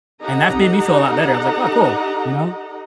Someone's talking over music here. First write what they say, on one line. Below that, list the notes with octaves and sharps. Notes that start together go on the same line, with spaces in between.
And that made me feel a lot better, I was like, "Oh, cool. You know?
D#4 G4 A4 D#5 F#5 A#5